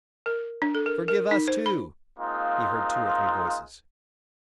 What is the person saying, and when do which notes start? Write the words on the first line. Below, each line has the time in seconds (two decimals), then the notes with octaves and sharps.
"Forgive us too!" he heard two or three voices.
0.26 A#4
0.62 D4
0.75 A4
0.86 A#4
1.08 A#4
1.31 D#4
1.48 C5
1.66 B5
2.18 G#3 A#3 C4 D#4 F4